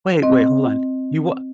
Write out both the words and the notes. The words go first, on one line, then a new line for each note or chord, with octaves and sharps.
Wait, wait, hold on, you wha
C4 D#5